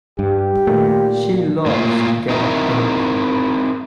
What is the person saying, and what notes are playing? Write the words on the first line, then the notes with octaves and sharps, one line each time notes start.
She loves to get up early.
G2 G4
A#2 D#3 A3
A2 A#3 F4
C4 D#4 E4 A#4